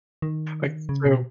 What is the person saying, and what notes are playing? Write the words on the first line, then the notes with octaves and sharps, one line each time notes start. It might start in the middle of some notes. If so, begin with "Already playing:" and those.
Like, so
D#3
C#3
B2